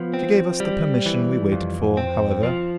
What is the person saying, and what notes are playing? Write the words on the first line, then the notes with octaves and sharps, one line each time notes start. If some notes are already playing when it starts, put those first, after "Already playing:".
She gave us the permission we waited for, however.
Already playing: F3 B3
C4
G3
E3
F2
C4
F3